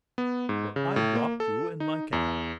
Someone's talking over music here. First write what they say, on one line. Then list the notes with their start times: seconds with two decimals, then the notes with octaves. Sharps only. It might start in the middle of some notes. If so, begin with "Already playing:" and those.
For I dropped you in my cab.
0.18 B3
0.49 G#2
0.76 C#3
0.96 A2
1.16 A#3
1.40 A4
1.80 D#4
2.13 E2